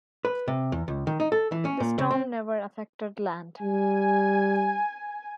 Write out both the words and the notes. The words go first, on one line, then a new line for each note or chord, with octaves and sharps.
The storm never affected land.
B4
C3
E2
C#2
D#3
D#4
A4
E3
C#4
A#2
C#3
C4
G3 G#5